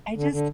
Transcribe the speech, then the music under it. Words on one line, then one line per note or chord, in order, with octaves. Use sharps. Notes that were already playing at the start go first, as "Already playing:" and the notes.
I just
D3
D3